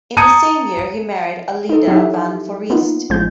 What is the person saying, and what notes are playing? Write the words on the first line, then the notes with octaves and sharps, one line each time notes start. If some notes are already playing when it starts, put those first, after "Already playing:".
In the same year he married Aleida van Foreest.
A5 A#5 D#6 G#6 C#7 D#7
D#4 A4
F#3 D#4 E4 G4 E5
G4
A#3 B3 D#4 F4
A1 F3 G#3 G6